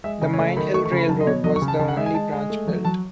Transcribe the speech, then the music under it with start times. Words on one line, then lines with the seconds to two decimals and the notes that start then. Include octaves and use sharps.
The Mine Hill Railroad was the only branch built.
0.04 G#3 E5
0.21 C#3 D#5
0.33 C#5
0.39 A3 D#5
0.57 D#3 B5
0.74 A3 C#6
0.86 C#6
0.92 C#3
0.97 B5
1.09 F#3 A5
1.21 D#5
1.26 B2 C#5
1.44 F#3 D#5
1.56 C#6
1.62 C#3
1.68 A5
1.79 C#3 A5
1.88 F#5
1.97 G#3 E5
2.06 G#5
2.14 G#3 A5
2.33 G#3
2.50 A3
2.67 F#3
2.85 F#3 A5